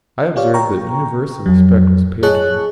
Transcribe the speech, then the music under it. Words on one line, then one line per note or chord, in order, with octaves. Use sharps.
I observed that universal respect was paid to him.
F4 G4 C#5 D5 F5
G5 A#5 C#6
F2 F#3
G#4 C#5 D#5 A5 C#6 F#6